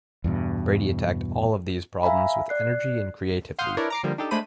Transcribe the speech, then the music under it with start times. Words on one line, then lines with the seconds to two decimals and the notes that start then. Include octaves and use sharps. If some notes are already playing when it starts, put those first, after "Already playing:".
Brady attacked all of these problems with energy and creativity.
0.24 E2 G2 B2
2.03 E5 F5 G#5 A#5 B5
2.49 D5 F#6 C7
3.59 F5 F#5 C6 D#6 F6 G6
3.77 D4 E4 A#4 B4 C#5 D5
3.90 A#5 D6 C7
4.03 D3 F3 G3 A#3
4.18 D4 D#4 G4 A4
4.31 G#3 A3 D4 C5 B5 D#7